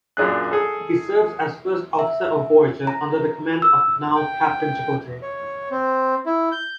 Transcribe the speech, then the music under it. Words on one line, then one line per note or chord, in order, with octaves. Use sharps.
He serves as First Officer of "Voyager", under the command of now-Captain Chakotay.
F#2 A#2 D4 G#4 F#6
G#4 A4
E5
A#5
E6
G5
C#5
C4
E4
G6